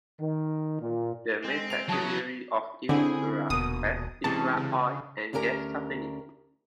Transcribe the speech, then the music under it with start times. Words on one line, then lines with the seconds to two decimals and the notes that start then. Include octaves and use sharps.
The main subsidiary of Itera was Itera Oil and Gas Company.
0.20 D#3
0.81 A#2
1.44 G#3 C4
1.70 D7 F7
1.89 C#3 E3 F#3 A5 D#6
2.89 D3 C4 C#4 E4 G#4
3.50 D#1 B2 A#3 D#6
4.24 C3 E3 G#3 C#4 A5
4.57 C#3
5.33 D2 C#4 G4 A#4 A#5